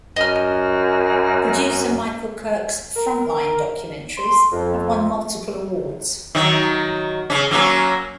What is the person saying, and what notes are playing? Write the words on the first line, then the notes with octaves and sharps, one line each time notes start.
Producer Michael Kirk's "Frontline" documentaries have won multiple awards.
F#2 D#5 F6
A#4
C6
F2
D#3 F#3
C#3 C#4
F#3 A#3 C#4